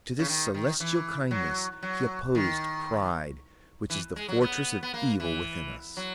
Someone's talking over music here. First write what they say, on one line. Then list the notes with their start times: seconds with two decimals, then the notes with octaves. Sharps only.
To this celestial kindness he opposed pride, which is the fortress of evil within us.
0.19 C#3
0.29 D#3
0.54 D#3
0.80 E3
1.31 F#3
1.83 F#3
2.35 D#3
3.90 E3
4.16 G#3
4.28 F#3
4.41 B3
4.83 B3
4.94 A#3
5.20 E3
5.97 F#3